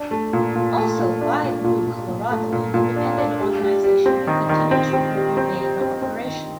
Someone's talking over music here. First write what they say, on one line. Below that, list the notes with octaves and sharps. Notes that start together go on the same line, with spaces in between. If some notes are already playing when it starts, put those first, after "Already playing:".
Also, BuyBlue Colorado, an independent organization, will continue to remain operational.
Already playing: D4
A3
A#2
A#2
A3
A#2
D4
A#2
A#2
A#2
A#2
A3
A#2
A#2
D4
D4
G3
G3
G3
C4
D#3
D#3
C4
C4
G3
C4
G3
C4
C4
D#3